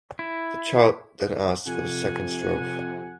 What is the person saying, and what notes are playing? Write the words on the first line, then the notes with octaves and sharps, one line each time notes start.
The child then asks for the second strophe.
E4
F2 C3 F#5 G#5